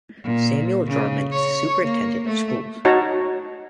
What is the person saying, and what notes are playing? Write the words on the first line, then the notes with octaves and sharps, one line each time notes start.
Samuel Jarman is the Superintendent of Schools.
A#2
C#3
C#5
A#3
A3
D#4 F#4 C#5 A5 A#5